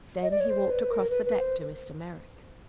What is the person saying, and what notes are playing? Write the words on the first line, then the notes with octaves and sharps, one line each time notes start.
Then he walked across the deck to Mr. Merrick.
D#5
D5
C#5
C5
B4
A#4
B4
B4
C5